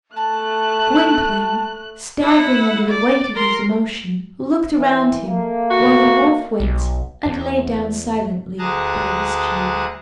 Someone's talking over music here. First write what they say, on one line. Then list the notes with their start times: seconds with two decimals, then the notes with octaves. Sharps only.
Gwynplaine, staggering under the weight of his emotion, looked around him, while the wolf went and lay down silently by his chain.
0.16 A3 A5 F#6
2.22 E4 F#5
2.88 D5
3.35 A#4 C6
4.77 E3
5.23 A3 A#3
5.70 F#4
6.60 B1
7.26 E2
8.59 D2 G#4 A5 A#5 D#6 F#6